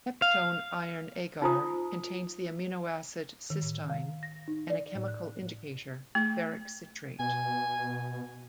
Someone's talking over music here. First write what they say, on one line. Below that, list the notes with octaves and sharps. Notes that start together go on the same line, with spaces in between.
Peptone iron agar contains the amino acid cysteine and a chemical indicator, ferric citrate.
F5
D#4 F4 C5 A#5 D#6
D#3
A2
F5
A#6
D#4
D5
A2
F#6
A3
B2 G#5